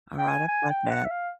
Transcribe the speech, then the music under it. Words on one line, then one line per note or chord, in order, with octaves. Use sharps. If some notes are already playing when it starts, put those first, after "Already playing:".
Alright, I've got that.
G5
G#5
G#5
G5
F#5
E5
F5